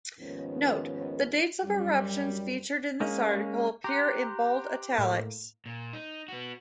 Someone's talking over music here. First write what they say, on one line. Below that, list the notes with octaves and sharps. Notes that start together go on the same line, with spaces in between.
Note: The dates of eruptions featured in this article appear in bold italics.
D#2 G#2 D#3 F3 B3 C#4
F#2 G3
G#3 A#3 C#4
G4 A#5 C6 F#6
A2 A#3
A#2
D#4
B3 F#4